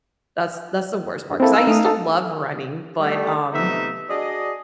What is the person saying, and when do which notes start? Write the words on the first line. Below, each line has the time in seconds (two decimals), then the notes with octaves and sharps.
that's that's the worst part. 'Cause I used to love running, but, um,
1.26 E2 G2
1.40 A#3 C4 E4 A4
1.54 D#4 F5 E6
1.67 A3 D#6
1.85 A4
3.00 D3 G3 A3
3.53 C3 F3 A3 B3 D#4 E5
4.10 D4 F#4 G#4 D5 D#5